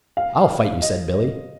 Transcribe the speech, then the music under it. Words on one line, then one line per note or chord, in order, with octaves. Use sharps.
"I'll fight you," said Billy.
F5
D#5